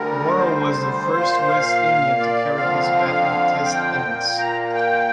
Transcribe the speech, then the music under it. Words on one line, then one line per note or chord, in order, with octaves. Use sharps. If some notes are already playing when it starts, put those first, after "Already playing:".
Worrell was the First West Indian to carry his bat in a Test innings.
Already playing: D2 D3 G3 A#4
C5
A#2 A#3
F5
D5
F2 D3 F3 C4 F5
G5
A#2 A#3
A#5
G5